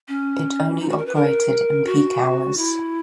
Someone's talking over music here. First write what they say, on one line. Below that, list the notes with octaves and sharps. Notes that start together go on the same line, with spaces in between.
It only operated in peak hours.
C#4
D#4
F#4
A#4
B4
A#4
F#4
E4